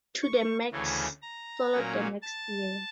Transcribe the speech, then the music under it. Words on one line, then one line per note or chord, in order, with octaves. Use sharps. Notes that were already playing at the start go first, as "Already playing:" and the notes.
"To the Max" followed the next year.
C#6
D2 C#3 E3 A3 C#4
A#5
A#2 F#3 A#3 C#4
A5